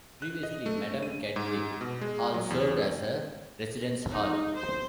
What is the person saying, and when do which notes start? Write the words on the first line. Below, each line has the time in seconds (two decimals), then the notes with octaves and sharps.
Previously Madame Cadillac Hall served as a residence hall.
0.22 F#6
0.43 D#5
0.66 A3
1.03 D#7
1.36 G#2
1.81 B2
2.01 G#3
2.34 F#3
2.50 E2
4.10 D#4
4.55 C5